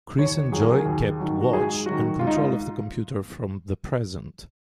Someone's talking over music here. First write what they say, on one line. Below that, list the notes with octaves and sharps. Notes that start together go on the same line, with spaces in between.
Chris and Joy kept watch and control of the computer from the present.
D#2 C#5
D#3 F#3 G#4
A#4
G#4
D#2
D#3 F#3
F#4
G#2 G#4
D#3 F#3 F#4
G#2 F4
D#4
F4